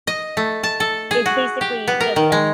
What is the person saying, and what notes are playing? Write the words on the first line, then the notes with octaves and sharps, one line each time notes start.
It's basically just like
D#5
A3
A5
A4
G#4
F#4
G4
B3
A#4
D#3
G#3